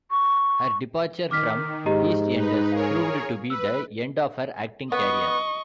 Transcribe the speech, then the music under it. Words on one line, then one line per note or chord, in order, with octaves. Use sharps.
Her departure from "EastEnders" proved to be the end of her acting career.
C#6
D#3 D6 F6 B6
G#2 G4 D#5 A#5
D#4 B4
G#4 A#4 C#5 F5
B4 E6
B3 D#5 C#6